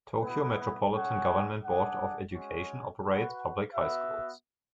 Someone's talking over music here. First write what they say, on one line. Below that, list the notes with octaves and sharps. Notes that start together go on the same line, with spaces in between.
Tokyo Metropolitan Government Board of Education operates public high schools.
B3 E4 B4
C#4 G#4 C#5 F#5
D4 G#4 D5 F#5
G#3 C#4 F#4 C#5
F#4 B4 F#5
B3 F#4 B4 E5